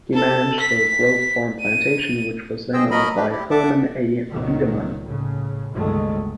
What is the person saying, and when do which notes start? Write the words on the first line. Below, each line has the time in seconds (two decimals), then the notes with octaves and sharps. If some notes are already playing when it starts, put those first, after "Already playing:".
He managed the Grove Farm Plantation which was then owned by Hermann A. Widemann.
0.14 A4
0.60 B6
1.61 D#7
2.73 G#4 C5 D#5 G5 E6
2.91 B2 F#3 A#4 D#5 B5
3.16 D4 G4 B4
3.31 E4 G4
3.51 E5 F#5 A5 D6
4.31 C#2 A#2 D#3 F#3
5.02 A2 C#3
5.74 G1 C#2 D#3 F#3 G#3 A3